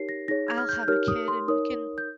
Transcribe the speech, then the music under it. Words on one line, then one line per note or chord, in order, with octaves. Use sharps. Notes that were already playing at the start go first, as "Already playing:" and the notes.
I'll have a kid, and we can
Already playing: D#4 G4 A#4 C#5 C7
A#6
D#4 G#4 C#5 A#6
G#6
F6
G6
G6
D#4 G4 A#4 C#5 F6
D#6
C6
D#4 A#4 C#5 D#6
G6